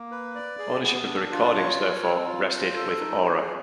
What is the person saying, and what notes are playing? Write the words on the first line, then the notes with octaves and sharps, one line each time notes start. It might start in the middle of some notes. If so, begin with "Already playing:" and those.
Ownership of the recordings therefore rested with Aura.
Already playing: A#3
B4
D5
G#4
B3
D4
F4
C#5
C#5
C4
F4
C5
A4
D#4
G#4